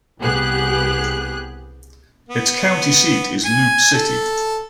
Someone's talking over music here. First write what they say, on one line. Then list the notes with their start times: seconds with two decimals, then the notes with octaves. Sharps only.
Its county seat is Loup City.
0.20 C2 B3 G4 G#4 F#6
2.29 B3
3.45 G#5
3.93 A4